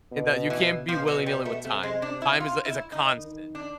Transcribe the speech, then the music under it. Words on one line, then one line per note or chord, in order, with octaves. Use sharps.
In that, you can't be willy-nilly with time. Time is a is a constant.
B2
E3
B2 F3
F#3
G3
A3
C3 A3
G#3
D4
E4
F4
E4
D#4
D#3
D4